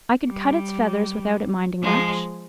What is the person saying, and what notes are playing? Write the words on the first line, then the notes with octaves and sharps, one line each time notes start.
I could cut its feathers without it minding much.
G3
F3 G#3